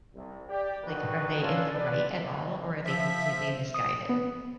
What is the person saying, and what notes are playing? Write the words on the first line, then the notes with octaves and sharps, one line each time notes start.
like, are they in the right at all, or are they completely misguided?
C2
G4 D5
F#1 D2 D#3 F#4 B4
C#4 D4 F4 A4 B4
B4 D5
F#1
F3 E5
D#6
B3